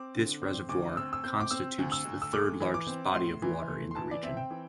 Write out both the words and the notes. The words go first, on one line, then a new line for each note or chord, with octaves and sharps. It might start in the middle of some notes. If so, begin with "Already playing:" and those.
This reservoir constitutes the third largest body of water in the region.
Already playing: C4 D6
D3
C4
D2 D6
C4 E6
E6
C4 G6
D6
C4 E6
D2
E6
D2
E6
A3 D6
E3
D6
C4
A2 C6
E3
A3
C6
E3 A5
D5
C4 E5
G5
E3